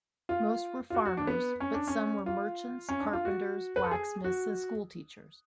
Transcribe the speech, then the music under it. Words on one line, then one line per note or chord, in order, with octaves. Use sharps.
Most were farmers, but some were merchants, carpenters, blacksmiths and school teachers.
F4
F4
F#4
F#4
D4
B3
C#4
D4
C#4
F4
C#4
D4
F4
F#4
B4
A4
G#4
F#4